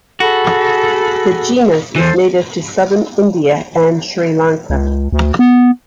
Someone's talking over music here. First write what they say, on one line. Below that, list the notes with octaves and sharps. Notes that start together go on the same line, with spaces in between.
The genus is native to southern India and Sri Lanka.
F#4 G#4 A4 B5
E2 E3 A4 C5
C#2
D2
B3